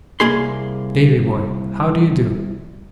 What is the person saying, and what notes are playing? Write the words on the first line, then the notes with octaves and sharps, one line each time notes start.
Davy boy, how do you do?'
C2 A#3 G#4 C6